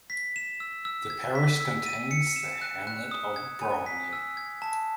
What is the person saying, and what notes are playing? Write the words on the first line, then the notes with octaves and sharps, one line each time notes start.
The parish contains the hamlet of Bromley.
B6
E7
E6
E6
G#6
B6
E6
D#7
C#7
E7
F#6
F#6
D#6
G#6
G#5
B6
E6
G#6
A5